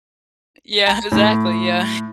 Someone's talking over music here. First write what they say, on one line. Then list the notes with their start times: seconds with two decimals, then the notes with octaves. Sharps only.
Yeah, exactly, yeah.
0.87 A#5
1.12 A2